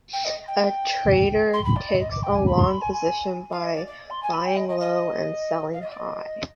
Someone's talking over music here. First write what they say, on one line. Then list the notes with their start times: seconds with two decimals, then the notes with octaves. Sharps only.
A trader takes a "long" position by buying low and selling high.
0.13 G5
0.24 D#5
0.48 G5
1.53 C6
1.65 B5
1.76 D5
1.89 D#5
2.00 D#5
2.11 D6
2.23 G5
2.35 G#5
2.46 B5
2.58 C6
2.70 B5
2.82 G#5
2.93 G#5
3.52 F5
3.64 D#5
3.75 D5
3.87 D5
4.10 C6
4.23 G#5
4.34 B5
4.46 G5
4.57 D#5
4.69 D#5
4.80 D#5
5.74 F5
5.82 D#5
5.91 D5
5.99 D#5